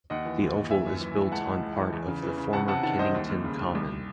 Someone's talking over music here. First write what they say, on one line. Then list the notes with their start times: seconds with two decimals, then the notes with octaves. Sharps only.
The Oval is built on part of the former Kennington Common.
0.10 D#2 D#5 F#5
0.26 E3
0.41 D#2
0.56 D#2
0.71 E3 E5 G#5
0.87 F#2
1.01 E3
1.16 E3
1.32 C#2 F#5 A5
1.47 C#2
1.63 C#2
1.78 E3
1.93 E2
2.08 C#3
2.23 E3
2.37 C#3
2.53 C3 F#5 A5
2.68 C3 F#5 A5
2.83 D#3 F#5 A5
2.98 C2 C5 D#5
3.15 D#2
3.30 D#2
3.44 C#3
3.59 D#2
3.75 C2